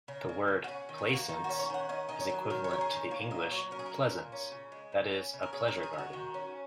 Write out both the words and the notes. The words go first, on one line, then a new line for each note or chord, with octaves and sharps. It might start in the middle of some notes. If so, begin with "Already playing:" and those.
The word "plaisance" is equivalent to the English "pleasance", that is a pleasure garden.
C#3 A#4
A#3
C#3
F#4
C#4 G#4
D#3
G#4
A#3 F#4
D#3 D#4
F#4
C#4
C#5
D#3 F#5
C#4 D#5
D#3 D#5
C#5
F#3
D#3 A#4
C#5
C#4 A#4
G#4
D#3
A#3 C#5
A#2 D#5
F#3 C#5
C#4 A#4
G#4
A#4
A#3
A#2
C#4
C#3
G#3
C#3
C#4
C#3
A#4
C#4 G#4
A#4
D#3
G#4
G#3
F#4
D#3
C#4